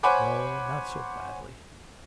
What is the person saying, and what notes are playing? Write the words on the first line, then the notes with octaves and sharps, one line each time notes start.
'No, not so badly.
C5 C#5 F#5 G#5 B5 D6